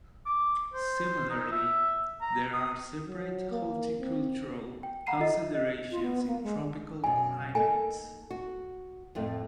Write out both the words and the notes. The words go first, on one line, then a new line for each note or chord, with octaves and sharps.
Similarly, there are separate horticultural considerations in tropical climates.
D6
C5
D#4
E5
A#5
D#6
F#3
A#3
C4
G5
F5 F#5 A#5 B5 C7 D#7
F4 A4 D#5 E5
D#5
F4
B3
A#3
G#3
D3
F#2 B2 G#5
A#3 D#4 A4 G#5
F#4
F2 A2 A3